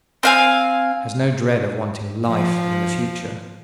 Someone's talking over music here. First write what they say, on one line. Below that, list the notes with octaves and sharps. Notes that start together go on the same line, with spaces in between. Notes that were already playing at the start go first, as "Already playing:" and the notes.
Has no dread of wanting "life" in the future.
C4 F5 G#5
F3